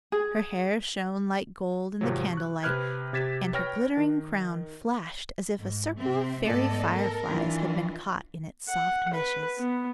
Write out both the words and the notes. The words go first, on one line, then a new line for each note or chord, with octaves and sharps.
Her hair shone like gold in the candlelight, and her glittering crown flashed as if a circle of fairy fireflies had been caught in its soft meshes.
G#4
G#1 C3 F3 F#3
C#6 F#6
C3 B4 F6 F#6 G#6
C3 G4 G#6 A6 B6 E7
B4 C#5 G5 F6 A#6
D#3
G#2
C3 C4 E5
G#2 A3 B3 A4 D5 D#5
A4 A#4
D#3 E3 D4 F4
F#5
B4
B3